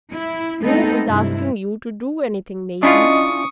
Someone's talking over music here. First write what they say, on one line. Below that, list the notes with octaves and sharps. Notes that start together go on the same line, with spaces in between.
'Who is asking you to do anything, Maisie?
E4
G#3 A3 B3 C4 D#4 A4
G2 C3 E4
C#4 D4 E4 F4 D#5 C#6 D#6